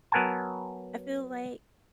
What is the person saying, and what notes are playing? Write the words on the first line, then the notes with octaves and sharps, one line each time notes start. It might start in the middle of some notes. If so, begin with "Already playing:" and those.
I feel like
F#3 B3 A#4 F#5 G#5 A5